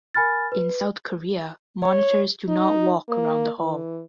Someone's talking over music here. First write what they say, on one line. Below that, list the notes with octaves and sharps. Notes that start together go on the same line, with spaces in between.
In South Korea, monitors do not walk around the hall.
A#4 G#5 B5 F6 A6
B4
C#5
D#4
A#3
E3